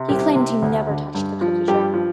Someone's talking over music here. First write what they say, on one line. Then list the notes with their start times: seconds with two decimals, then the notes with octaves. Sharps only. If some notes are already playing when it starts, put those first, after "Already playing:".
He claimed he never touched the cookie jar.
Already playing: C3
0.09 C2 G4
0.36 C3
0.62 D2
0.89 D3
1.15 G2
1.41 F3
1.68 G2 G4
1.94 F3